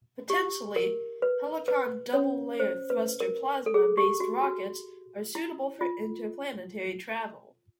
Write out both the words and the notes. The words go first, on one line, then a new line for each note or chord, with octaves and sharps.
Potentially, Helicon Double Layer Thruster plasma based rockets are suitable for interplanetary travel.
G4
A#4
B4
B4
C#4 C#5
C5
B4
A#4
A4
G#4
G4
F#4
F#4
E4
F4